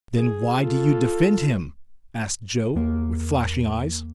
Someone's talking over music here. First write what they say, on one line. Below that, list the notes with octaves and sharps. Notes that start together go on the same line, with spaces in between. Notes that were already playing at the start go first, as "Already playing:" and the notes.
"Then why do you defend him?" asked Joe, with flashing eyes.
G#4
F4 A4
E2 A#3